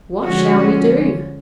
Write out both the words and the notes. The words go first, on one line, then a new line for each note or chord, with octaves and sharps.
What shall we do?
D3 F3 G#3 C#4 F#4